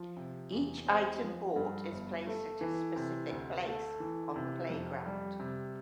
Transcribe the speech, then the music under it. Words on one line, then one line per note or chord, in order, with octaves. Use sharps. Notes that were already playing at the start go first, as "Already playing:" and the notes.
Each item bought is placed at a specific place on the playground.
Already playing: F3
C3
E2
C4
F3
G2
G1
A3
E3
C3
D2
A3
E3
C3
F2
G3
C3